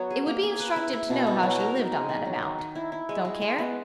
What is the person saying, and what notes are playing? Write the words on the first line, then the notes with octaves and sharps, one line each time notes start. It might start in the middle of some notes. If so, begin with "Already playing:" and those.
It would be instructive to know how she lived on that amount. Don't care?
Already playing: F#3 B3
G#4
A#3
G#4
B4
E4
E4
B2
B2
F#3
A#4
D#4
G#3
D#3
F#3
D#3
D#3
E4
E4
G#3
G#3
G#3
B3